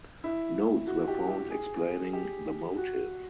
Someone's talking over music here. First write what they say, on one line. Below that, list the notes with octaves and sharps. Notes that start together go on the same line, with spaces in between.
Notes were found explaining the motive.
E4
F#4
G4
G4
G#4
G4
F#4